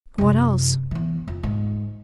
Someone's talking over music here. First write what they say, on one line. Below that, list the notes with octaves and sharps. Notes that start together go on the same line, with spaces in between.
What else?
F#2 C3
E3 B3
F2
G#2